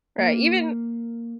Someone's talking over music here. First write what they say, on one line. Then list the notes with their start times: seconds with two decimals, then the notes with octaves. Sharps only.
Right, even
0.19 A#3